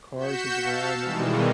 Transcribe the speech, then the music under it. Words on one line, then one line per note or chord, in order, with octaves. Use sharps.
Cars as well, I remember,
F#4 G6 B6 C#7 E7
F5 A5 E6
B2 D#3 E3 G3 G#3